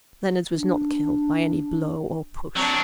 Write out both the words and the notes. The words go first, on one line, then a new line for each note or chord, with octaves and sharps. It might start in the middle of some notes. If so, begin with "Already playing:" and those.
'Leonards was not killed by any blow or push.'
D4
F#3 C4 D4